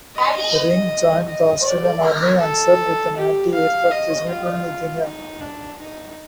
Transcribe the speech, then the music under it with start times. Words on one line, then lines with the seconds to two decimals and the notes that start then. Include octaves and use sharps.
Ring joined the Australian Army and served with an anti-aircraft regiment in New Guinea.
0.15 D#5
1.28 D#5
1.66 D5
2.03 A#4
2.40 A4
3.17 G4
3.54 F5
3.91 D#5
4.29 F4
5.04 D#4
5.40 D4
5.79 D#4